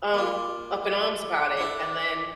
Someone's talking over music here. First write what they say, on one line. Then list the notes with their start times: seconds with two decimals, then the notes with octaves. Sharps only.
um, up in arms about it, and then,
0.14 A#3 F4 D6
1.57 D4 E4 A4